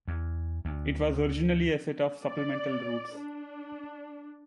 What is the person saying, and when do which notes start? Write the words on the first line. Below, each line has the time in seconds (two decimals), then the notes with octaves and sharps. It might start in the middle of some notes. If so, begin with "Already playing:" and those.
It was originally a set of supplemental routes.
0.08 E2
0.65 D2
2.24 D5
3.16 D4